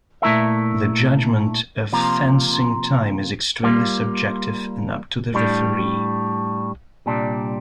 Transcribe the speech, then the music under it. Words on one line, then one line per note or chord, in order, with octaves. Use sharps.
The judgement of "fencing time" is extremely subjective and up to the referee.
A#2 A3 E4 A#4 E5
C3 F3 A#3 F4 A#4
G3 A#3 F4
A2 G3 D4
C2 A#2 G3 D4